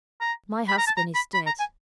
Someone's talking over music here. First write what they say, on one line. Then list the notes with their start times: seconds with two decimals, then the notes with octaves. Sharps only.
'My husband is dead.
0.21 A#5
0.68 B5
0.78 A#5
0.87 A5
0.97 A#5
1.15 B5
1.34 B5
1.47 A#5
1.59 G#5